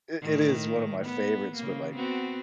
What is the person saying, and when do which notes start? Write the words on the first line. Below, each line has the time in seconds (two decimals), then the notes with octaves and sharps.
I It is one of my favorites, but, like,
0.21 A2 D#3
1.03 B3
1.55 C#3 A#3
1.96 B3 C4 F#4